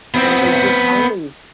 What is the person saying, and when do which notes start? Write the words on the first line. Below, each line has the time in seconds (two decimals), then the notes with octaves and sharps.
And they just finally
0.14 B3 C4